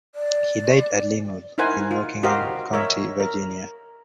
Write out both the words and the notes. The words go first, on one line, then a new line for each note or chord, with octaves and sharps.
He died at Lynnwood in Rockingham County, Virginia.
D5
D#4 E4 A#4 C5 F#5 G#5
F4
F#4 G4 A#4 C5 D#5 F5
A#4 C#5 D#5 E5
A#4